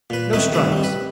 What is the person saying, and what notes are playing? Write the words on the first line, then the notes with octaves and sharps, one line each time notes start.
No strikes!
A#2 B4
D#3 C4 C#4 D#4 E4 B4
C2 D#3 A3 B4
G3 C4
B4